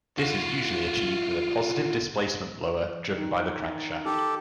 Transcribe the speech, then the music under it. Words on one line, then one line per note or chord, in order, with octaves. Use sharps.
This is usually achieved with a positive displacement blower driven by the crankshaft.
F4 F#4
D#3
D#3 G4 A4